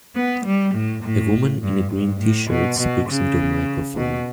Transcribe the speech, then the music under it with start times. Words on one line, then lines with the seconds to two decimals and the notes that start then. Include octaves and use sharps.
A woman in a green tshirt speaks into a microphone.
0.15 B3
0.45 G3
0.74 A2
1.03 A2
1.62 G2
1.92 G2
2.20 A2
2.50 B2
2.79 B2
3.09 C#3
3.96 B2